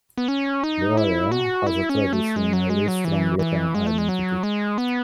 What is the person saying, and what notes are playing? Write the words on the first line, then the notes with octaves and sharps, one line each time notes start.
The area has a traditionally strong local identity.
B3
C#4
D#4
E4
F#4
E4
C#4
A3
G#3
F#3
G#3
F#3
E3
E3
G#3
A3
G#3
F#3
G#3
B3